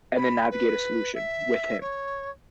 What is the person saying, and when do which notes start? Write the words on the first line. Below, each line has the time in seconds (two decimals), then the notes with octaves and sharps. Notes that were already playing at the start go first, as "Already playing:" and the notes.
and then navigate a solution with him,
0.17 B5
0.51 B4
1.15 E5
1.81 C#5